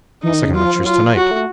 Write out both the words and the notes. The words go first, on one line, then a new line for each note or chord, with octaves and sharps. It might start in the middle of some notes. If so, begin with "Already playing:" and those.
The second lecture's to-night.
E3 D#4
D#3
C#3
F#3 F4
F3
F3
F#3 F4
F3
F3
F#3 F#4
A3